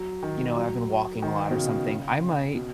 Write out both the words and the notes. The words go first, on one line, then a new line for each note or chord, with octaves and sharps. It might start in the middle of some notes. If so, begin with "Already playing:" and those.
you know, I've been walking a lot or something, I might,
Already playing: F#3
D#3
F#3
D#3
B2
C#3
B2